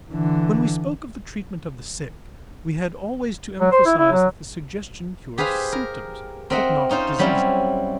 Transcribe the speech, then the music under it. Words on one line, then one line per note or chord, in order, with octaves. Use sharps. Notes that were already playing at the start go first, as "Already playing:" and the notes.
When we spoke of the treatment of the sick, we had always to emphasize that the suggestion cures symptoms but not diseases.
D3 E3
F#3
C5
E4
E4
F#3
G4 G#4 B4 C5 F5
A#4
C4 A#4 D#5 E5 F#5
C#4 D#4 F4 C5
F#3 G3 C4 C#4 E4